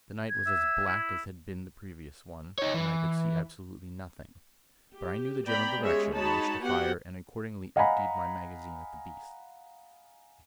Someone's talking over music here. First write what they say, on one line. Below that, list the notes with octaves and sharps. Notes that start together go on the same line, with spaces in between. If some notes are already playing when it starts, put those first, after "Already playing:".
The night was as black as had been the previous one, and I could see absolutely nothing; but I knew the general direction in which to fire and accordingly emptied my magazine at the beast.
G#6
E5
E4
D#4 C#5
E3
G4
B3 D5 G5 A#5 B5
G#3 C#4 G4 G#4 C#5 E5
G#3 D#4 F#4 C#5 A5 B5
B3 F#4 G4 F#5 G5
D#5 F5 F#5 G#5 A#5 B5